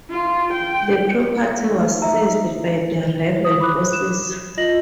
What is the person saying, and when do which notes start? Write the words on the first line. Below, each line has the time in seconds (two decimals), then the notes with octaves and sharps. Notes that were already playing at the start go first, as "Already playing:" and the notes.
The property was seized by the rebel forces.
0.11 F4
0.53 G5
1.64 A3 D#4
2.01 E5 A#5 E6
3.45 D#6
3.60 B5 D6 D#6 F#6
3.93 E7
4.57 F4 D#5 A#6 F#7